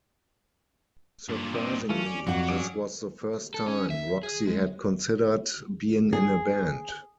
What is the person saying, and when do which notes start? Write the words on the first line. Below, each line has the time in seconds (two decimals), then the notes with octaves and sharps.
Surprisingly, this was the first time Roxy had considered being in a band.
1.29 G2 A#2
1.54 C4 D5 D#5
1.89 E3 A3 C#4 F4
2.06 D5
2.27 F2 F#3 F4 F#5
2.49 C#4 G#4 D5
3.54 A4
3.68 C#4
3.90 E5
4.23 G#4
4.47 G#3
6.13 G#4